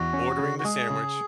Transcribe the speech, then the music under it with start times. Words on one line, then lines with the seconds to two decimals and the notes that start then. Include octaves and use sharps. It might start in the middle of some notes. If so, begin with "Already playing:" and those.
ordering the sandwich,
Already playing: E2 F#4
0.13 C#4
0.39 C#3
0.59 F#4
0.64 G#3 G#4
0.90 C#3